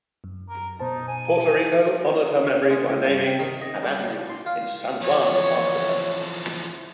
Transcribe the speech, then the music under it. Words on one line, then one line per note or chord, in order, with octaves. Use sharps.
Puerto Rico honored her memory by naming an avenue in San Juan after her.
F#2
A#4
B2 D#4 C5 A5
G#5
G4
G#3
C#2
G2
G5
D#3
D#5
G3
B2
D5
C6
F4
E2 F3 C#5